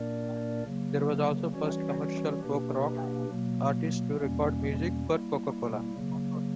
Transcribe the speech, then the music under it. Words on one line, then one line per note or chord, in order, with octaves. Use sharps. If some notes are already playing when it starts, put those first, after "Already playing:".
They were also the first commercial folk-rock artists to record music for Coca-Cola.
Already playing: A#2 A#3 D4 A#4 D5
C#3 F#3 A#3
E3 G3 C#4 F#4 C#5
B2 A#3 D4 G4 B4
B2 F#3 A#3
E2 B2 G3 A#3 C#4
G3 A#3 E4
C#3 F#3 A#3